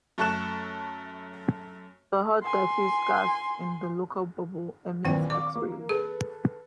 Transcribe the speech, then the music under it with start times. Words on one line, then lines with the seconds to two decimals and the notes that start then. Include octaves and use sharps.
The hot diffuse gas in the Local Bubble emits X-rays.
0.18 F#2 A3 A4 C#6 F#6 E7
2.43 G#5 C6
5.05 D#2 A#2 D#3 E3 C4 G5
5.30 D5 F5 C#6 D6
5.55 A#3
5.89 G#4 A4 B4